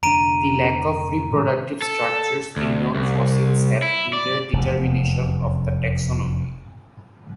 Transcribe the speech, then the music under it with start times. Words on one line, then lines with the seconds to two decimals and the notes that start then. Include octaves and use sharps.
The lack of reproductive structures in known fossils have hindered determination of the taxonomy.
0.03 F1 D3 D4 A#5 D7 D#7
1.31 A2 D#3 G#3
1.82 A4
2.56 D2
2.95 C2
3.82 E4
4.13 D5
4.53 F1 E2